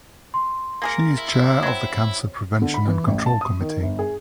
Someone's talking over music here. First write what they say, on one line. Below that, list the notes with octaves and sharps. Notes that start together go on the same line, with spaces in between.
She is Chair of the Cancer Prevention and Control Committee.
C6
A#3 G#4 A#4
E4
F#3 C4
D3
B5
E3
A1
A5
D#6
D#3
G1
G#4